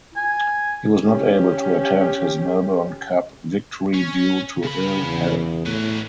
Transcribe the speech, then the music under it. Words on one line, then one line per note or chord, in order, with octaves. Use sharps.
He was not able to attend his Melbourne Cup victory due to ill health.
G#5
C#4 G4
C#4
C#3 B5
E2
A2 C#4 B4